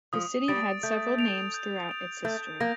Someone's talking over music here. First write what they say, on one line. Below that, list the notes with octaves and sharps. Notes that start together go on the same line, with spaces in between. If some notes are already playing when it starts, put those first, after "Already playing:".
The city had several names throughout its history.
F3 D#6
G3 A6 D7
A3 G6
D7 F7
G6
D7 F7
A3 G6
A#3 A#6